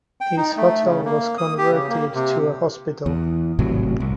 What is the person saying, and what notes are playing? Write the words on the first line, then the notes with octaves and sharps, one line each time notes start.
His hotel was converted to a hospital.
G5
D#4
A3
C#3
A#3
D#6
G4
C#3
A#3
C3
E2
G#1 A2 C3 F#3
C2